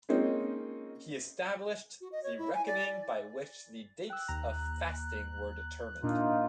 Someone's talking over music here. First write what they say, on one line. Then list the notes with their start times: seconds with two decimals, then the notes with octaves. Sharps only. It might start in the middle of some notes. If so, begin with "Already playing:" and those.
He established the reckoning by which the dates of fasting were determined.
0.09 G#3 A#3 C4 C#4 D#4 F4
2.01 F#4
2.12 D#5
2.23 C#5
2.38 E4
2.54 G#5
2.67 D5
4.10 G5 E6 F#6
4.28 D#2 A#5
6.03 A#2 A#3 D4 D#4 F4